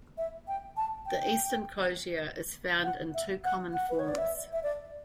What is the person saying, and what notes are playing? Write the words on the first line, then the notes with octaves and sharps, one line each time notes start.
The Eastern crosier is found in two common forms.
E5
G5
A5
G5
F#5
E5
F#5
F#5
B4
C#5
D5
E5
E5
D5